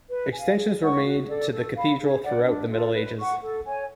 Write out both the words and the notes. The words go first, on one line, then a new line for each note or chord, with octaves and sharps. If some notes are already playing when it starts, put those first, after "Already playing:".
Extensions were made to the cathedral throughout the Middle Ages.
B4
F5 G#5
G#4
C#5 F#5 C#6
F#4
A4 D5
A4
F5 B5
G#4
D5 F#5
D4
F4 A4
B4
F#5 C#6
A4
C#5 G#5